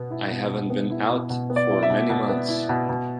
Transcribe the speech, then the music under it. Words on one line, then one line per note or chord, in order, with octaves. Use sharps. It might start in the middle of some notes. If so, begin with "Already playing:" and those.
I haven't been out for many months.
Already playing: B2 B3
E4
B2
B2
B3
E4
B2
B2
B3
D5
E4
E5
B2
B2
B3
E4
B2
B2